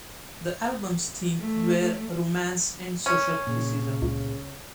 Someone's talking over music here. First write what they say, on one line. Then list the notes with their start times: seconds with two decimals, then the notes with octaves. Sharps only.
The album's themes were romance and social criticism.
1.39 A3
3.06 C#4
3.47 A#2 C#3
4.02 C#2